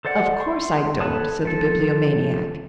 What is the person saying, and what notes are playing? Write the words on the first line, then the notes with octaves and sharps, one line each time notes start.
"Of course I don't," said the Bibliomaniac.
A4 C5 D5 F#5
C6 C#6
A4 B4 C#5 A5 D#6
F3 A4